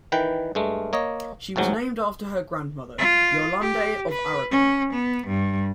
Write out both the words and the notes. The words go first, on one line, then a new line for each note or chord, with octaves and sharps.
She was named after her grandmother, Yolande of Aragon.
D#3 E3 B4 G5
G2 G#3 A3
A#3 C#5 D#5
A1 D#2 G#2 F#3
F4
G4
B4
C#4
B3
G2